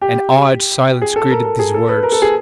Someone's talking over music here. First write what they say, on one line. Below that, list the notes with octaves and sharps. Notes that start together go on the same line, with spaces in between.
An awed silence greeted these words.
G4
G#4
A4
A#4
A4
G#4
A4
B4
A#4
A4
G#4